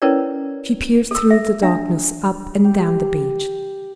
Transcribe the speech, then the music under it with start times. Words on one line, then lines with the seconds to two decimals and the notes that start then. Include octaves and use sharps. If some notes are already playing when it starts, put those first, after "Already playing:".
She peered through the darkness up and down the beach.
0.02 C#4 E4 A#4 B4 C#5 D5
1.11 A4 E6
1.31 E5
1.62 D4 E5
2.64 G4